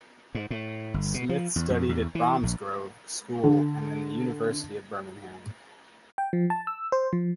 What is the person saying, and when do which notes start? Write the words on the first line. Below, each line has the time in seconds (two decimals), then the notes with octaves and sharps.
Smith studied at Bromsgrove School and then the University of Birmingham.
0.35 G#2
0.50 A2
0.94 G1
1.14 B2
1.29 F3
1.56 E2
1.70 F2
1.89 E2
2.15 E3
2.43 A#1
3.43 D3
6.18 G5
6.33 F3
6.50 A5
6.67 E6
6.92 C5
7.13 F3